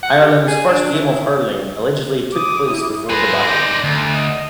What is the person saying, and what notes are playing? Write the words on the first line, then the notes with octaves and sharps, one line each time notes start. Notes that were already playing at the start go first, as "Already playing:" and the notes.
Ireland’s first game of hurling allegedly took place before the battle.
F#5
G4
G#4
D4
E4
D6 D#6
E4
G#4 B4 C6 A#6
D#4 D5
D2
D#5